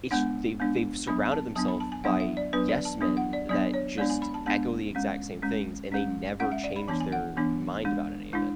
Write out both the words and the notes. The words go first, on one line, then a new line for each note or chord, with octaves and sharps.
It sh they've they've surrounded themself by yes men that just echo the exact same things, and they never change their mind about any of it.
G#3 B3 D4 F#5
G#3 B3 D4
F#3 B3 D4 B5
A5
F#3 B3 D4 A5
B5
A5
G#5
F#3 B3 D4 F#5
E5
D5
F#3 B3 D4 B4
D5
A5
F#3 B3 D4
F#5
D5
F#3 B3 D4 D5
C#5
G#3 B3 D4 D5
G#5
B5
A5
G#3 B3 D4 A5
G#3 C#4
G#3 C#4
G#3 C#4
G#3 C#4 F#5
E5
D5
B5
E3 B3 D4 A5
G#5
F#5
E3 B3 D4
G#3 D4
G#3 D4 E4